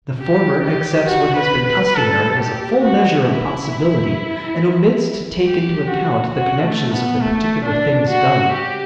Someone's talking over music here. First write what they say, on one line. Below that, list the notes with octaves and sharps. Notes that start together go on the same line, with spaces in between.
The former accepts what has been customary as a full measure of possibility and omits to take into account the connections of the particular things done.
G4
G4
F#4
B4
B4
A4
G4
F#4
E4
G4
F#4
F#4
A3
B3
A3
D4
F#4
G4